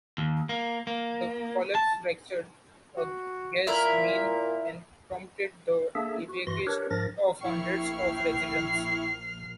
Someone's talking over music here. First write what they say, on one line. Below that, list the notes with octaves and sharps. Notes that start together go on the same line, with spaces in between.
The collapse fractured a gas main and prompted the evacuation of hundreds of residents.
D#2
A#3
A#3
A5
F#4
A#2 E4 A#4 E5
A#3 D4 G#4 A4 E5
F#4
G2 E3 F#4 C6 A#6
D4 G4 A#4 B4 C#5
G#2 F3 D4 A#4 A6 A#6
A#1 E4 G5 C#6 F6 C7